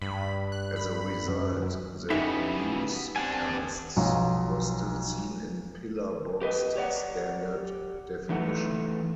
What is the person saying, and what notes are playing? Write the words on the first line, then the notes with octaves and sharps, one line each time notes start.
As a result, the newscasts were still seen in pillarboxed standard definition.
G2 B5
F#6
B5
F#2
F#2
C#3 E3 B3 D#4 G4 E5 B5
G3 C4 D4 F#5 G#5
B1 F3 F#3
G4 B4 D#5
G4 C#5 D5 F#5
E3 A3 D#4 F#5